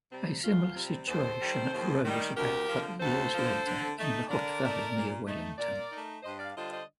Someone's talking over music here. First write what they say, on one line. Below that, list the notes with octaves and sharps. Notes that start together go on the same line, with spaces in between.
A similar situation arose about three years later in the Hutt Valley near Wellington.
C3 G3 C4
D2 F4
C3 G3 C4
D#2 A4 C5
D#3 G3
D#2
D#3 G3
D2 G4 A#4
D3 F3
D2 A4 C5
D3 F3
D3
A3 D#4
D3 A#4 D5
A3 D#4
A#2
A3 D#4
A#2 A#4 D5
A3 D#4
G2 C5 D#5
D5 F5
D3 G3 D4 F4 C5 D#5
C5 D#5